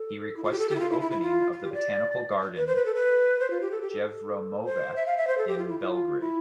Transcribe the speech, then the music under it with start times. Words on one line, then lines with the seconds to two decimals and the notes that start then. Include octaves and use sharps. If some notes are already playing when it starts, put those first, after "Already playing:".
He requested opening of the Botanical garden "Jevremovac" in Belgrade.
Already playing: A4
0.36 E4
0.44 F4
0.52 G4
0.59 A4
0.70 G4
0.75 E4
0.79 F4
0.90 E4
1.01 E4
1.11 E4
1.21 F4
1.53 F4
1.63 G4
1.73 D5
2.57 B4
2.67 C5
2.76 B4
2.86 A4
2.95 B4
3.40 C5
3.50 F4
3.61 G4
3.71 A4
3.81 G4
3.92 A4
4.65 C5
4.96 E5
5.06 F5
5.17 E5
5.27 C5
5.38 A4
5.48 G4
5.58 F4
5.69 E4
5.79 F4
6.21 E4